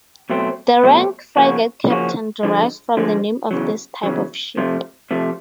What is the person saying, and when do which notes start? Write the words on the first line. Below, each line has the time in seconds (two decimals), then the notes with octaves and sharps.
The rank "frigate captain" derives from the name of this type of ship.
0.30 B2 F#3 A3 C4
0.83 B2 F#3 A3 C4
1.37 C#3 F3 A#3 C#4 F#4
1.90 C#3 F3 A#3 C#4 F#4
2.43 D3 F3 G#3
2.97 D3 F3 G#3
3.51 E2 C#3 F#3
4.03 E2 C#3 F#3
4.57 C3 F3 A3
5.11 C3 F3 A3